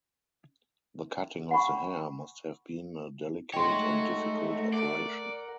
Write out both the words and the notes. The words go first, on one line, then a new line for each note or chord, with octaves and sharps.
The cutting of the hair must have been a delicate and difficult operation.
F#5 G#5 B5 C#6
G#3 A3 D#4 F#4 C#5 D#5 G5 C6
A#4 D5 F#5